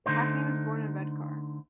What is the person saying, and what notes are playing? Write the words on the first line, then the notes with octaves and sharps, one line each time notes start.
Hackney was born in Redcar.
D3 A3 D#4 C5